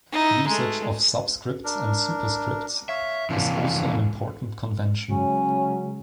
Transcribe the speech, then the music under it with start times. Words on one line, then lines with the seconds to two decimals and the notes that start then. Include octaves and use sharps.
Usage of subscripts and superscripts is also an important convention.
0.12 D#4 E4
0.48 G#3 A3
1.64 D4 A#4
2.89 C#5 E5 F5
3.30 F2 C3 E3 A#3 C#4 D4
5.09 C#3 F#3 G#3 C#4